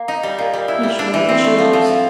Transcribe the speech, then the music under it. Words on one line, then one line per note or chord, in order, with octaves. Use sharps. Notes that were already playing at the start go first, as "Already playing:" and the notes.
He shrugged his shoulders.
Already playing: A#3
D#4
G3
A#2
G3
E4
G3
D4
E3
C4
A3
F3
F3
A2